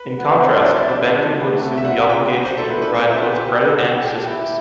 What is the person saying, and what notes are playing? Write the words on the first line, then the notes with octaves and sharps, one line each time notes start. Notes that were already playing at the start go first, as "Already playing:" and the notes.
In contrast, the banking would assume the obligation to provide both credit and assistance.
Already playing: B4
B3
C4 C5
D4
C5
E4 D5
D4 E5
C4
D4
B3
A3
B3
A3
D4 E5
C4 F#5
B3
G5
A3
B3
F#4
D4 C5
E4 A4
B4
D4 B4
C4 C5
D4 E5
F#4 A5
G4
A4
A4 F#5
G4 G5
G4 G5
G4 A5
E4 G5